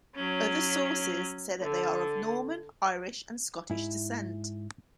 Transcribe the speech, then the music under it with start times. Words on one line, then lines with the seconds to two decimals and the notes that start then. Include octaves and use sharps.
Other sources say that they are of Norman, Irish and Scottish descent.
0.15 F#3 C#4
1.61 D3
3.70 G#2 E4